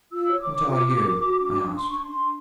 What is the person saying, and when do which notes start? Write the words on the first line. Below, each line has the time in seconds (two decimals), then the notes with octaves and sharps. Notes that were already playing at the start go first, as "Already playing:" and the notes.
"What are you?" I asked.
0.11 F4 E6
0.31 C#5
0.39 D6
0.49 C#5
0.67 F4
0.85 F4
1.03 A#4
1.22 F#4
1.40 D4
1.58 D4
1.76 D4 C6
1.89 C#6
1.95 D4
2.01 C6
2.13 D4